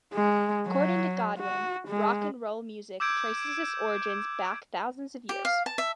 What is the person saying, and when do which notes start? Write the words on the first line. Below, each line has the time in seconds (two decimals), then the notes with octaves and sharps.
According to Godwin, rock and roll music traces its origins back thousands of years.
0.13 G#3
0.68 F#3
1.39 F#4
1.87 G#3
3.00 D6 E6 G6 G#6 D7 E7
5.29 G4
5.45 F5
5.66 A5
5.78 E5